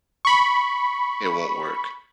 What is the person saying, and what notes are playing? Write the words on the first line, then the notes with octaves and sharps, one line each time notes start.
It won't work.
B5 C#6